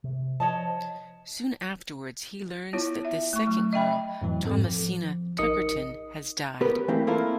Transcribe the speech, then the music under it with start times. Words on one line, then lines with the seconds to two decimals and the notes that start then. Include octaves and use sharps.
Soon afterwards he learns that this second girl, Thomasina Tuckerton, has died.
0.04 C3
0.40 F3 C#5 D#5 A5
2.73 B3 E4 F4 C#5
3.05 E5
3.33 A3 C#6
3.47 F#3
3.73 D#5 E5 G5 B5
4.22 F2 A2 E3 F#3
4.44 G#2 C4 A4
4.65 F3
5.38 A1 D#4 A#4 D#5 D#6 C#7
6.61 B3 G4 A#4 B4
6.88 E3 A3 A#3 C4 E4
7.07 A#3 C4 E4 F4 A4 A#4